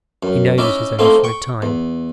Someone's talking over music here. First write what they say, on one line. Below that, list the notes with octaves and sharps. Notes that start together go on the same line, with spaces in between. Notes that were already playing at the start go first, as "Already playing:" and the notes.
He knows it is only for a time.
F#2
C#4 D#4 E4 D5 E5
A3 A#3 C4 D#4 E4
G5 C#6
E2